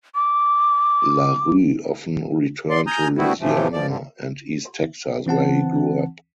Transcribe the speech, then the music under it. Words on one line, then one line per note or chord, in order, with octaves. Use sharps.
LaRue often returned to Louisiana and East Texas, where he grew up.
D6
D5 C6
G#5 A#5 D#6 F6 G6
G3 A3 B3 C4 E4 F#4
A2 C3 E3 F3 A3
F3 D5
G2 D3
E3 C4 F#5 A5